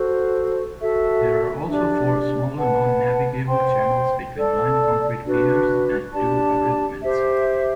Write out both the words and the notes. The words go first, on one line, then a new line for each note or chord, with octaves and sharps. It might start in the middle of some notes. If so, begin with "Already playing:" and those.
There are also four smaller non-navigable channels between nine concrete piers and two abutments.
Already playing: F#4 A4 C5
F#4 A4 E5
D4 G4 D5
B4 F#5 A5
C5 G5 C6
A4 D5 A5
D4 F#4 B4
D4 G4 D5 A5
G4 C5 E5